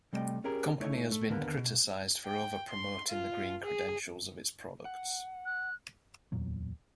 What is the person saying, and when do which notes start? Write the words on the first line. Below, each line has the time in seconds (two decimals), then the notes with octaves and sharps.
The company has been criticized for over-promoting the green credentials of its products.
0.13 C3 G3 A3 D#5 G5
0.44 C#4 G4 G#4 A#4
0.80 A3 D#4 E4 C#5
1.12 A3
1.29 D#2 D3 A#3 B3
1.58 B2
2.26 G5
2.70 C6
3.09 F4
3.64 G#4
4.85 F#5
5.46 F#6
6.32 D1 E2 A#2 F#3